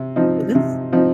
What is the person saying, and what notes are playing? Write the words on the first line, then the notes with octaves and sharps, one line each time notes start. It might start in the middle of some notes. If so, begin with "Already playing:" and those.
So that's t
Already playing: C3
F3 C4 D#4
C3
F3 C4 D#4